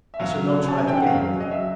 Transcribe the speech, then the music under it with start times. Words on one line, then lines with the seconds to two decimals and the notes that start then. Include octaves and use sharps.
"I shall not try it again, Miko."
0.14 E5
0.19 F#3 F5
0.48 C#3
0.68 A5
0.78 C#3 G#5
0.88 G5
0.97 F#5
1.07 F#3 F5
1.36 F#3 D#5
1.51 E5